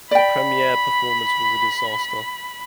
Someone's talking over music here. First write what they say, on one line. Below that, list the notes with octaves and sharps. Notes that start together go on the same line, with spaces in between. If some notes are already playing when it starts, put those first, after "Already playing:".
The premiere performance was a disaster.
D5 G5 B5